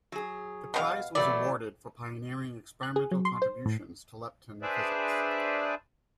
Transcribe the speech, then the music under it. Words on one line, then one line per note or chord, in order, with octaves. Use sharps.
The prize was awarded "for pioneering experimental contributions to lepton physics".
F#3 G#4
B2 C4 F5
E3 F#3 A3 D5
F#6
G#4
F#3
C6
C5
A2
D4 G#4 B4 C5 D5 E5